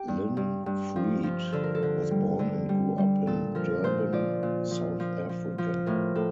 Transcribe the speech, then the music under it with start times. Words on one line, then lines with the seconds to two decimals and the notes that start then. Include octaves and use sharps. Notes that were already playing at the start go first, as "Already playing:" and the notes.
Lynn Freed was born and grew up in Durban, South Africa.
Already playing: G4
0.08 G2
0.37 G2
0.66 G2
0.96 F3
1.23 F3
1.52 D3 A4
1.63 A#4
1.75 A4
1.83 D3
2.11 G3
2.39 D3
2.69 G3
2.98 G3
3.27 A#2 A4
3.55 F3 A#4
3.84 A#2 C5
4.13 F3 D5
4.43 A#2
4.71 F3
5.00 F3
5.29 F3
5.58 F3
5.86 A2 A#4
6.15 A2 A4